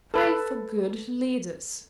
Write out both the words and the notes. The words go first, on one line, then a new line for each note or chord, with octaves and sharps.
"Pray for good leaders."
A4 B4